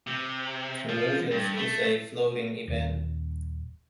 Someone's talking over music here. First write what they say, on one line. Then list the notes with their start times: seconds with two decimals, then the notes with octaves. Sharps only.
Convergence is a "floating" event.
0.07 C3
0.89 F3
1.31 G2
1.56 A3
2.68 D#1